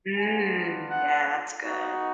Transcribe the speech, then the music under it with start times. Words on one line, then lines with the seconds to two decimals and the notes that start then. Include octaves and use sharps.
Mm. Yeah, that's good.
0.18 B3 D4 F4 G#5
0.90 F#5
1.63 B3 D#4 F#4